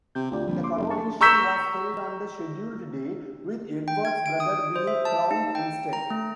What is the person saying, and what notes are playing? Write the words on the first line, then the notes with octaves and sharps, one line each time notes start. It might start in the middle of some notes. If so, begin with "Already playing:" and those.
The coronation was held on the scheduled day, with Edward's brother being crowned instead.
C3 G6
D2 F4 D5
A#1 D3 F3 G3
C6 D6
F#1 A4
G2 G#4 A5 C#6
A#5 C#6 E6 G6 B6 E7
G5
G#6
D7
D#6
C5
E5
A5
D#4
G5
A#5
A3